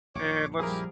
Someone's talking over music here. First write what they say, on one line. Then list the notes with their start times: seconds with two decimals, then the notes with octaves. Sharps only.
And let's
0.15 A#1 F#2 C#5 D6
0.59 F3 G3 E4 G4 G#4 A#4